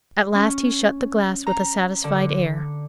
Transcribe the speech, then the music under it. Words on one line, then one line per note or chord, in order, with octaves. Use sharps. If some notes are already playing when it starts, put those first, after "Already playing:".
At last he shut the glass with a satisfied air.
C#4
A#5
D3